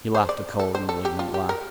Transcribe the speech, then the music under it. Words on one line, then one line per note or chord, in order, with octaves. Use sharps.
He laughed a cold and malignant laugh.
C5
D5
A4
C5
A4
G4
F4
G4
A#4